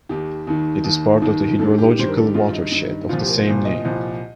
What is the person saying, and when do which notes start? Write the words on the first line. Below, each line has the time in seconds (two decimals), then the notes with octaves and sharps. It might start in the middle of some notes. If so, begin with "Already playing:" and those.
It is part of the hydrological watershed of the same name.
0.09 D#2 D#3 G4
0.47 D#2 D#3
0.84 D#2 D#3
1.22 D#2 D#3
1.59 G2 D#3 A4
1.78 G4
1.97 G2 D#3 C5
2.08 A#4
2.17 A4
2.25 G4
2.34 G2 D#3 F4
2.53 D#4
2.72 G2 D#3
3.09 C2 A#2 F3 F4
3.19 G4
3.28 A#4
3.38 C5
3.47 C2 A#2 F3
3.65 D#5
3.85 C2 A#2 F3